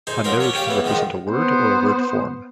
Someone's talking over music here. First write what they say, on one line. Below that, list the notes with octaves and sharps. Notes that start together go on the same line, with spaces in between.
A node can represent a word or a word form.
D#4 G#4 C5
F3 F#3 C#4 A#4 C5
C#4 D4 C#5
C#4 G4 C#5 F5
C#3 E3 B3
G#2 D#3 F3 G#3
B3 C5